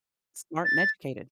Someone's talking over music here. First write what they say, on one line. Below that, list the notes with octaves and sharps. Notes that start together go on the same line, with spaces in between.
smart and educated.
A6